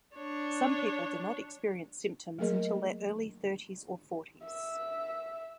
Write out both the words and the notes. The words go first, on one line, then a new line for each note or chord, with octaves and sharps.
Some people do not experience symptoms until their early thirties or forties.
D4 C#5
F#3 A3 A#3 G#4 A#4 D#5
E5